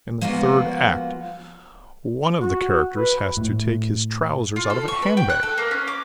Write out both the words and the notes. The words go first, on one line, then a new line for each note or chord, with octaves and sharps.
In the third act one of the characters has to take his trousers out of a handbag.
F3 G#3 A#3 B3 F4 F#4
F#4
B4
A2
F4
A4
C#6
B4
G5
F#6
A4
A#3
C#4
D6